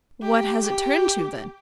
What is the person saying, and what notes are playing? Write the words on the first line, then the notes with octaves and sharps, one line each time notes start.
"What has it turned to, then?"
G4
G4